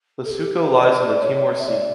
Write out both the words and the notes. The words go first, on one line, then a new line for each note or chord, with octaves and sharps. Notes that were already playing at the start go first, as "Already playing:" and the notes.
The Suco lies on the Timor Sea.
A4
G4
D5
C#5
E5
D5